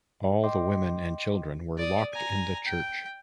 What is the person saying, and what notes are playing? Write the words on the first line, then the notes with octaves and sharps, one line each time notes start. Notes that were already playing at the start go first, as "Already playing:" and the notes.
All the women and children were locked in the church.
D#5 G5 C6 D6
D5 D#6
G#5 A#5
G5